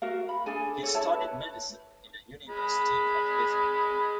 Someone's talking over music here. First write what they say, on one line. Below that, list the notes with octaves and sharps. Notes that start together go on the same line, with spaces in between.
He studied Medicine in the University of Lisbon.
F#4 A#4 F5
B5
D4 G#4 A4 G#5
A4 C#5
D4 E4 C#5 A5
B4
G#3 B5